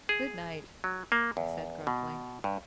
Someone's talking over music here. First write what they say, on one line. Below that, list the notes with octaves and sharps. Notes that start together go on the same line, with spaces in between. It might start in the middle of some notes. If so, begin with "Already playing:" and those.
"Good-night!" he said gruffly.
G#4
F#3
A#3
E2
B2
G2